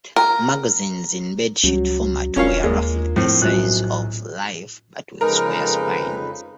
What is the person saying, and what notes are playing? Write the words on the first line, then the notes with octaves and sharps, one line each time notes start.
Magazines in bedsheet format were roughly the size of "Life" but with square spines.
A#4
C#2 F#3 G3 C#4
E1 C#4 D4 F4 A#4 C#5 F5
D#2 G#3 A#3
A2 F3 C4
B1 F#2 A2 F3 F#6
F2 C#3 G#3 D#4 A#4 B4